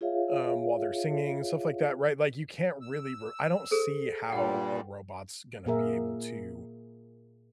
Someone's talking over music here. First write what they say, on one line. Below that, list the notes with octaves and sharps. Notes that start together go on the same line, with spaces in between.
um, while they're singing, stuff like that, right? Like, you can't really r I don't see how a robot's gonna be able to
F4 G#4 C#5 E5 F5
E6
G#4 A4 C5
G2 A#2 G3 F#5 G5
A#2 A#3 G#4 A#4 E5